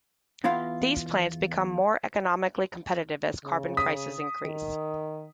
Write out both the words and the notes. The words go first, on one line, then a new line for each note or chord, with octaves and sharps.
These plants become more economically competitive as carbon prices increase.
E2 B3 E4 F4 F5 C6
C#3
D#6 B6
D#3